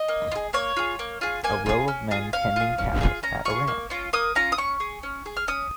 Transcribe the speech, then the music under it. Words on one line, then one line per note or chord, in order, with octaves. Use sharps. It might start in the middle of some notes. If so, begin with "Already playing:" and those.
A row of men tending cows at a ranch.
Already playing: D#5
A#3
F4
G#4
A#3 C#5
F4 G#4
A#3
F4 G#4
A#3 G#5
F4 G#4
C#4
F4 G#4
C#4 F5
F4 G#4
C#4
F4 G#4
C#4 A#5
F4 G#4 C#6
A#3
C#4 F4
A#3 D#6
C#4 F4 A#5
D#6
C#4 C#6
G#4
C#4
G#4
F6
C#4 D#6